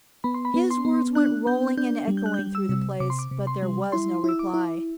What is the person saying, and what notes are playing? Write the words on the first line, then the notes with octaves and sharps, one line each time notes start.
His words went rolling and echoing through the place, but there was no reply.
B3 B5
C6
B5
B3
C6
B3
D4 F#6
B3 G6
D4 G6
G3
G6
F#6
G3 G6
E6
C3
C3 D6
C6
D6
C3
C6
G3
E4 C6
E4 E6
D6
E4